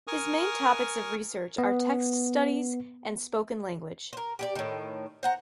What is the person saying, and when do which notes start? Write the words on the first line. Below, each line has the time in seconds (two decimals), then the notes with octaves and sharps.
His main topics of research are text studies and spoken language.
0.07 A#4 G#5 C#6 D#6 F6
1.58 B3
4.13 A#4 C5
4.39 G4 G#4 D5
4.55 A2 D#3
5.23 C5 F#5 A#5